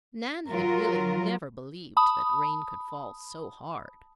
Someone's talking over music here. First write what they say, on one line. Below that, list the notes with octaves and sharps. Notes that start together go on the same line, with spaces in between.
Nan had really never believed that rain could fall so hard.
F#3 F4 A#4
A5 B5 D#6